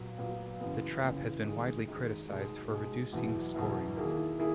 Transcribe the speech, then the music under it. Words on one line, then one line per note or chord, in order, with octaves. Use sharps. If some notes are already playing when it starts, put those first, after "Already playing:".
The trap has been widely criticized for reducing scoring.
Already playing: A#2 F#3 B3
A#2 F#3 B3
F#2 C#3 E3 B3
F#2 C#3 E3 B3
D#3 G#3 D#4 G#4
D#3 G#3 D#4 G#4
B2 G#3 D#4 G#4
B2 G#3 D#4 G#4
E2 B2 F#3 B3 E4
E2 B2 F#3 B3 E4
D#3 A#3 E4 G#4
D#3 A#3 E4 G#4